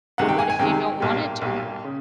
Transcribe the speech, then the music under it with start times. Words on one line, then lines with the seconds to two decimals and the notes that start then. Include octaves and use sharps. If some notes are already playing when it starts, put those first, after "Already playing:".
and what if you don't wanna do that?
0.18 C2 C3 D#3 G#3 F#5
0.29 G5
0.39 G#5
0.50 G#5
0.59 C2 C3 D#3 G#3 G5
1.00 B1 A#2 G3
1.41 B1 A#2 G3
1.84 C#3